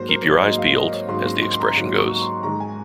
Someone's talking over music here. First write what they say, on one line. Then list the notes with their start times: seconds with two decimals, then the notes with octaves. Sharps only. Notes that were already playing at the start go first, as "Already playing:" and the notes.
"Keep your eyes peeled", as the expression goes.
Already playing: G#2 F#3 A#3 C5
0.08 A#4
0.24 C#5
0.41 G#2 F#3 A#3 D#5
0.58 F5
0.76 D#5
0.92 C#5
1.08 G#2 F#3 A#3 C6
1.26 C6
1.42 C6
1.53 C6
1.60 A#5
1.76 G#2 F#3 A#3 C6
1.98 C#6
2.22 C6
2.43 G#2 D#3 G#3 A#5
2.60 G#5